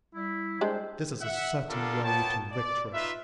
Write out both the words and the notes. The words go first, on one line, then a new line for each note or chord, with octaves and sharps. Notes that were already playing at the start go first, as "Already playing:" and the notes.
This is a certain road to victory.
G3 E4
G#3 D4 G4 C5
E5 F#5
B3 D4 F4 G4 A4 A#4
A#3 B3 C#5 G5 A5
D5
D#4 F4 B4 E5